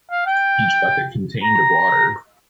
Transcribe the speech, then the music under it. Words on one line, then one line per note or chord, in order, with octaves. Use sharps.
Each bucket contained of water.
F5
G5
A#5